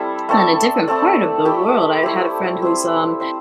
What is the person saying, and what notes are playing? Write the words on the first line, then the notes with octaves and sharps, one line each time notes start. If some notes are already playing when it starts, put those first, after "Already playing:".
on a different part of the world. I had a friend who's, um,
Already playing: G3 C4 E4 A4
A3 C4 A4 D5
A3 C4 A4 D5
A3 E4 G4
A3 E4 G4
C4 E4 C5
C4 E4 C5